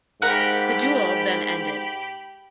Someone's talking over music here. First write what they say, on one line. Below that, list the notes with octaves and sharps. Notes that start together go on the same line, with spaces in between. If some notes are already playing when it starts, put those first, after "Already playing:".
The duel then ended.
G#2 G4 A#4 F5 F#5 B5